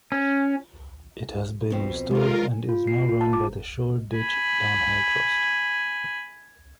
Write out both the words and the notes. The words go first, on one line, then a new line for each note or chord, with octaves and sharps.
It has been restored and is now run by the Shoreditch Town Hall Trust.
C#4
F2 B2 C4
D#3 G#3 F4 A4 A#4
F4
C7
F4
A5
D6
G#5 B5